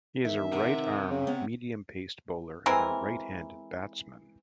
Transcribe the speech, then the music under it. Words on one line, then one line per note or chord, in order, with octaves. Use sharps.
He is a right-arm medium-pace bowler and a right-handed batsman.
E2 D#3 E5
C3 A#4 F#5
C#3
B3 C#5 F#5
E3 G#3 C4 A#4